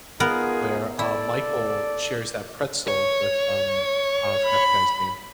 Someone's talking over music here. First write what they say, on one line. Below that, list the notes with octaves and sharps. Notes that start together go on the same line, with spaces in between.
where, uh, Michael shares that pretzel with, um, oh, I forgot the guy's name,
B3 D#4 F4 G#4 A#4
E4 A4 D5
C#5
B5